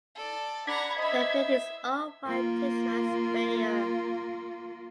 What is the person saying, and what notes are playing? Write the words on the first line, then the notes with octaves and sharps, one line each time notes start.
The building is owned by Tishman Speyer.
A4 D5
D4 F#5 A#5 B5 G#6
C5 D#5 E5
A#3 F4